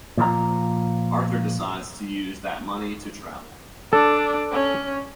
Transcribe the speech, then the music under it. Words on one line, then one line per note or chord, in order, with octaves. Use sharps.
Arthur decides to use that money to travel.
A#2 F3 B4 A#5
D4 A4
C#4